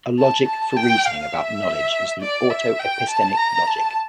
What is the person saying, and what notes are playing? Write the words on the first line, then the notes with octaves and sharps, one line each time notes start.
A logic for reasoning about knowledge is the autoepistemic logic.
A5
A5
G5
F5
E5
D5
E5
G5
A5
A#5
A5